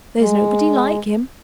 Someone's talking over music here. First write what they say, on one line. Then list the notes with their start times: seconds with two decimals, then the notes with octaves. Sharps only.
There's nobody like him.
0.20 G#3